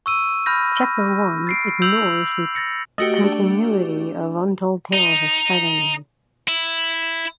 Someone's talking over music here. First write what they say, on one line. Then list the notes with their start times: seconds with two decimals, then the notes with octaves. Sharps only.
"Chapter One" ignores the continuity of "Untold Tales of Spider-Man".
0.06 C#6 E6 D#7
0.46 B5 F6 G6 A#6
1.47 A6 C7 D7
1.82 E6 G6 F7 F#7
2.55 A6 A#6 C#7
2.98 A3 F#4 G4 D#5 A#6 C#7
3.24 D4
4.93 D#4
6.48 E4